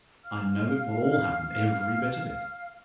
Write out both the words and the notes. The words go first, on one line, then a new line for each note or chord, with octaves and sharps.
I know it will all happen- -every bit of it.
F5 F6